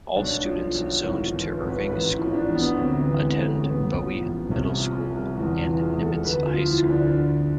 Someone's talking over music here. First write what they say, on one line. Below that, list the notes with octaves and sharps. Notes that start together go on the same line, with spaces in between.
All students zoned to Irving schools attend Bowie Middle School and Nimitz High School.
B1 D4
F3
B1
G#1 E4
F4
E3
B4
G#1
B4
A1 B4
E4
F3
D4
A1
B3
D2 C4
B3
E3
G#3
D2
A3
A1 B3
F3
A1
C2
F3
C2
E2 E4
F4
E3
F4
G#4
E2
A4
D2 B4
F4
F3
E4
D2
D4
D2
F3